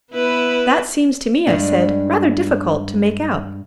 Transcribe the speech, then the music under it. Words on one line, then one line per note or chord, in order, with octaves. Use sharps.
"That seems to me," I said, "rather difficult to make out."
B3 E4 B4
G2 G#3 D4